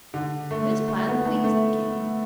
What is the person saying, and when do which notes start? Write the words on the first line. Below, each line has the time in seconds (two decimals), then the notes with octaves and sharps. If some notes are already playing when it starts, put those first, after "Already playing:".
This plan pleased the King.
0.14 D3
0.51 A3
0.88 A3
1.07 B3
1.25 A3
1.44 A3